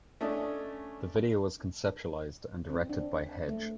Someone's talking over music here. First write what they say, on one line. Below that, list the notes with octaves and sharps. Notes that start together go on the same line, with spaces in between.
The video was conceptualized and directed by Hegde.
A3 C#4 D4 D#5
C4
D4
A3